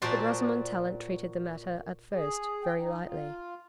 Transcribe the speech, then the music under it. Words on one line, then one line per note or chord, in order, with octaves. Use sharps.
But Rosamond Tallant treated the matter, at first, very lightly.
A#2 F#4 C5 D5 A5 C6
G#4
G5
D#4
F4